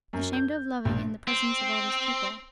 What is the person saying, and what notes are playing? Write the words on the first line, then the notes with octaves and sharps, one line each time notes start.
Ashamed of loving in the presence of all these people.
F#2
G6
A#1
C4